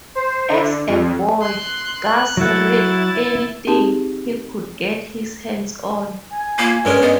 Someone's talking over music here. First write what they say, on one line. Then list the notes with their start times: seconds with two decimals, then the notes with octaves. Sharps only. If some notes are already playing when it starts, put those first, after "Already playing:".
As a boy, Gass read anything he could get his hands on.
0.15 C5
0.50 D3
0.87 F2
1.41 C6 F#6
2.03 F#6
2.37 F#3 E4 F#5 A6
3.67 C4 D#4 G4 G#4 A5
6.31 G#5
6.59 A#3 F4
6.85 G2 G#3 C#4 A#4 C#5
7.02 B3 D5 D#5